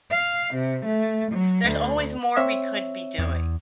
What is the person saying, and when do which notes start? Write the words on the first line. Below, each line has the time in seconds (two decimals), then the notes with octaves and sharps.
There's always more we could be doing.
0.11 F5
0.53 C3
0.85 A3
1.31 F#3
1.65 D2
2.37 C4 C#5 E5
3.18 E2